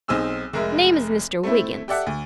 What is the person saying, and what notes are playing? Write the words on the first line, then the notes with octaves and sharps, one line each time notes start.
"Name is Mr. Wiggins."
B1 C4 D#4 G#4 E6 F6
F1 G#3 A#4 E5
A3 C4 E4
G4 A4 D5 E5 F#5
D2